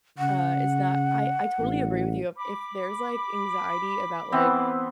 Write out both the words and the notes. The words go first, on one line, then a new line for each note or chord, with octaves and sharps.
uh, it's not I I totally agree with you, if there's, like, anxiety about, like,
C#3 F#5
A1
B5 D6
E3 B3 C4